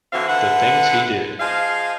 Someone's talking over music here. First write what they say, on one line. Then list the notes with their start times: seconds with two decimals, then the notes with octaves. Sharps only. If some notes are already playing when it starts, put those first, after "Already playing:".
The things he did.
0.12 D3 E3 C4 F#4 E5 F5
0.28 D3 B4 E5 F#5
1.39 F3 G#4 D#5 F5